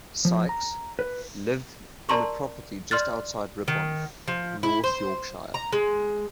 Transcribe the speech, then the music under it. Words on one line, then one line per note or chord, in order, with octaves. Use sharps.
Sykes lived in a property just outside Ripon, North Yorkshire.
F3
A#5
B4
A#4 D5 A5 A#5 C6 C#6
D5 C6 F6 F#6 A6
D#3
F3
E4
C5
A#5
G#3